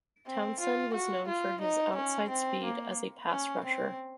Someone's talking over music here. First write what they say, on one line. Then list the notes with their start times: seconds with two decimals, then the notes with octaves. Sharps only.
Townsend was known for his outside speed as a pass rusher.
0.27 C4
0.60 F4
0.94 F#4
1.28 F4
1.61 D#4
1.96 C#4
2.29 C4
2.64 A#3
3.31 C#4
3.65 C4